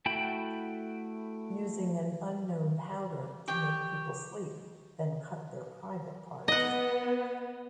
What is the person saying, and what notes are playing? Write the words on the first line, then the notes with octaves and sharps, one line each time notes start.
Using an unknown powder to make people sleep then cut their private parts.
A3 E4 F#4 G5 B5
G4 C#5 G5
B3 D#5 F#5